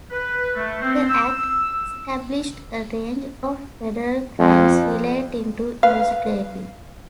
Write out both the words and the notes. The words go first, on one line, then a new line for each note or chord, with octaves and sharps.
The Act established a range of federal crimes relating to immigration.
B4
A3
C4
E6
F2
B4 F5